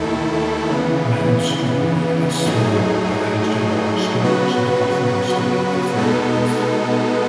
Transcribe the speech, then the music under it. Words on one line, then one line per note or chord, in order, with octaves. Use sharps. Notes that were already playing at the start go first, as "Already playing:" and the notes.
Male strobili are small, arranged in long stalks, and are often mistaken for flowers.
Already playing: D#2 D#3 A3 E4 A4
C#3 E3 B3
A2 F#3 A3 D#4 G#4
C#3 F#3 B3 F#4 B4
B2 G#3 B3 D#4 A4